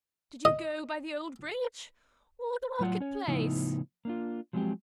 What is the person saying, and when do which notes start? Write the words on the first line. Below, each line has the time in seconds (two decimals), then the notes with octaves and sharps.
Did you go by the old bridge, or the market-place?
0.45 D#5
2.79 A2 F#3 F4 F#5
3.00 C#4 C#5
3.27 A2 C#3 F3 B3 D#4 E4
4.05 A#3 D4 F4
4.53 F3 F#3 G#3 B3 C4 G4